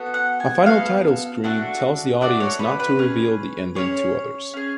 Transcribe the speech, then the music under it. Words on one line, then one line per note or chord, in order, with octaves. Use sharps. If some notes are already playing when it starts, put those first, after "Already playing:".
A final title screen tells the audience not to reveal the ending to others.
Already playing: B3 F#4 A4
F#5
G#5
B3 F#4 A4 F5
A3 D4 F#4 A4
A3 D4 F#4 A4 D5
C#5
B4
B4
C#4 G#4
C#4 G#4 C#5
C#4 G#4